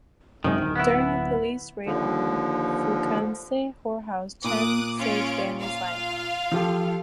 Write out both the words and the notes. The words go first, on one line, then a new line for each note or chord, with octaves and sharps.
During a police raid on a Fukienese whorehouse, Chen saves Danny's life.
F#2 C3 D#3 G#3
D1
B3 E4
D#2 D3 F3
A#2 D6 D#6 F#6
C#4 F4 D7
F4 F5
F3 G4 A4